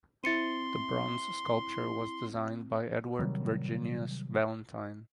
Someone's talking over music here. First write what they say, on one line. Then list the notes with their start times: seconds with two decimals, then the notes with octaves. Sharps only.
The bronze sculpture was designed by Edward Virginius Valentine.
0.24 C4 E4 C6 A6 C#7 D#7
3.19 C3 D#3 F#3 G3